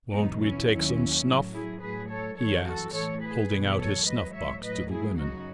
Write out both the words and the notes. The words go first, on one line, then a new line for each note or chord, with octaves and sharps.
"Won't we take some snuff?" he asks, holding out his snuff-box to the women.
E2 B2 F#3 B3 D#4
C#4 E4
D#2 D#3 F#3 C#4 E4
A2 F#3
E4 G#4
A2 F#3 G#4 B4
A4 C#5
F#2 E3 A4 C#5
F#4 A4
A2 E3 A4 C#5
G#4 B4
E2 B2 F#3
A4 C#5
G#2 F#3 B4 D#5
C#5 E5
A2 F#3 B4 D#5
E4 G#4
F#2 C#3 F#3 D#4 F#4